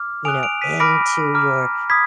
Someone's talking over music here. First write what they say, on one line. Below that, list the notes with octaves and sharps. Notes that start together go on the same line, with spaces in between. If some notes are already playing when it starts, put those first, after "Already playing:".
you know, into your
Already playing: D6 F6
G#5 D#6 F#6 D7 F7
D7 F7
B6 D#7
B5 D6 F6 A#6 D7
A#5 D6 F6
B5 D#6 G#6 B6